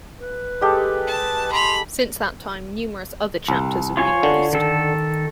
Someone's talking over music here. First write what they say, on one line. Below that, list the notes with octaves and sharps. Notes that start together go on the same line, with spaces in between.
Since that time, numerous other chapters have been released.
B4
G#3 G4 A4
A5
B5 C6 F7
C2
F4 C#5 G#5
D3
D#3 A4